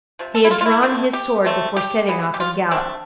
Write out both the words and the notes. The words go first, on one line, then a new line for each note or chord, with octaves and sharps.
He had drawn his sword before setting off at a gallop.
C3 F3
A4
E4
F4
F4
E4
D3 F3 A3 C4
G4
D3 A3 C4
G4
E3 B3
G4
F4
D3 A3 C4 D4